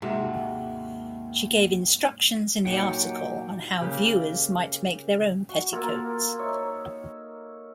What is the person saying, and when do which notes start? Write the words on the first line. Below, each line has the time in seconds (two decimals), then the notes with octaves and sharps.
She gave instructions in the article on how viewers might make their own petticoats.
0.02 D#2 G#2 C3 F#4 E5
2.65 A#2 F#3 D#4 F#4 G4 F#5 G5
3.81 A#2 C#3 G4 F#6
5.49 F#4
5.73 A#3 F4 A4 A#4
6.39 D#4 C#5 E5